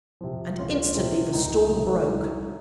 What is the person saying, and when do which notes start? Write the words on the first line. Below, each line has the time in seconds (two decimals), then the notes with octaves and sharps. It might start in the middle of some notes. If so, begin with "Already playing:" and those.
And instantly the storm broke.
0.21 C3 F3
0.59 C#2 C#4 F4
0.96 C3 F3
1.33 C#2 D#4
1.71 C3 F3
2.08 C2